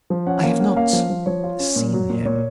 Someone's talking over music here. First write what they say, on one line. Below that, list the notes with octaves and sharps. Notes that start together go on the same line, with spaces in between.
"I have not seen him."
F3
C#4 F#5
A#3 F5
C#4 F#5
A#3 F5
F3
F3
F3 C#5
F4
C#4
A#2
F#3
A#2
A#2 C#5